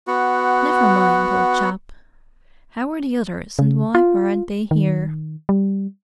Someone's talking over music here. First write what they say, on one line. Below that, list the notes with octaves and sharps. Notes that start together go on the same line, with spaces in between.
"Never mind, old chap. How are the others, and why aren't they here?"
B3 F#4
C#3
F4
D#3
G3